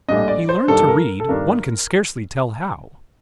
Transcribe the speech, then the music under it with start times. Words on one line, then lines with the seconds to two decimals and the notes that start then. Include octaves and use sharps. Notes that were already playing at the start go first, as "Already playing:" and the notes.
He learned to read, one can scarcely tell how.
0.08 A#1 A2 G3 D4 D#5
0.28 D5
0.49 C5
0.68 G2 D#3 G3 D4 A4
0.88 A#4
1.20 A4
1.28 G2 D#3 G3 D4 A#4